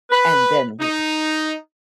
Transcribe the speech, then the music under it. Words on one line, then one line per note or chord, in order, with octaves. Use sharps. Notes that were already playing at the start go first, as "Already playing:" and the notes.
and then, w
B4
D#4